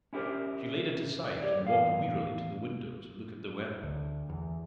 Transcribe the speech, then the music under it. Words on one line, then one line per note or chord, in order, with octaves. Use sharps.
She laid it aside, and walked wearily to the window to look at the weather.
C#4 E4 G4 A#4 C5
G4 C#5 D5
E2 A2 F5
D2
E2